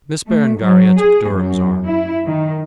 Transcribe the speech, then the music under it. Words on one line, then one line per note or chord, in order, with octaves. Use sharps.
Miss Berengaria took Durham's arm.
A3
F#3
G#4
F#2
E4
D#3